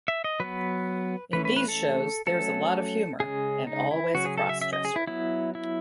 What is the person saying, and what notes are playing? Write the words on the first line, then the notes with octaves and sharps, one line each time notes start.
In these shows there's a lot of humor, and always a cross-dresser.
E5
D#5
F#3 B3 B4
E3 A3 C#4 B4
B4
B4
A4
F#3 A3 C#4 A4
C#3 G#3 C#4 G#4
D#4
E4
C#3 F#3 C#4 F#4
G#4
A4
E5
E5
D#5
G#4
E4
F#3 B3 E4
E4